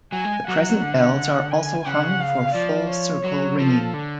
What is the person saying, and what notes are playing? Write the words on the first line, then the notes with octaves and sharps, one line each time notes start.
The present bells are also hung for full circle ringing.
F#3 G#5
G#3
F#3 F#5
D3
G#5
C#3 F#5
F5
F3 D5
C#5
F#3
F3 A4
D3